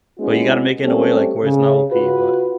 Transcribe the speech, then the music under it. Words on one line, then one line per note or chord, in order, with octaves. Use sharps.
But you gotta make it in a way, like, where it's not OP, but
G#3 B3 C#4 E4 F#4 G#4
G3 A3 C4 C#4 G4 A4
C#3
F4 F#4 B4